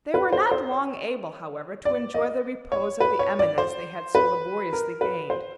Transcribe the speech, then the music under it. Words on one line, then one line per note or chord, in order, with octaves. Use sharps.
They were not long able, however, to enjoy the repose of the eminence they had so laboriously gained.
B4
C5
C5
C#5
D5
D#5
C#5
B4
C#5
D5
C5
B4
A#4
B4
C5